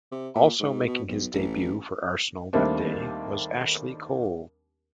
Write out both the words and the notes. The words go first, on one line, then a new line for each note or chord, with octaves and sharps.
Also making his debut for Arsenal that day was Ashley Cole.
C3
A#2
G#2
B2
B1
A1
D#2 G3 A3 A#3 C4 D4